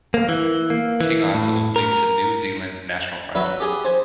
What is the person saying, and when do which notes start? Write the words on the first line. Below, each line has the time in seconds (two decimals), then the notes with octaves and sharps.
King-Ansell leads the New Zealand National Front.
0.14 A#3
0.29 E3
0.70 A#3
1.01 E3
1.34 A2
1.76 A#4
3.35 F#3 B4 E5
3.60 G4 G#4
3.85 C5 G#5